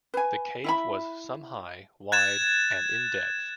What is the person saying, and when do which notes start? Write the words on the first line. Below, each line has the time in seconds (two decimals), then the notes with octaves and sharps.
The cave was some high, wide and in depth.
0.14 B4 G#5
0.64 E4 E5 B5
2.12 F#6 G#6 A6 E7